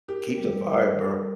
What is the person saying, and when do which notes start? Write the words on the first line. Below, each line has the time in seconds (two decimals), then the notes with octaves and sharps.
Keep the fire burn
0.08 G4 A#4
0.38 G3
0.66 A#4
0.96 A#4